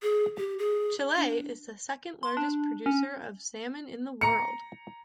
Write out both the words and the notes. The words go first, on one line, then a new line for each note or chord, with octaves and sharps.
Chile is the second largest producer of salmon in the world.
G#4
G4
G#4
D4
C6
D4
C#4
A#5 C#7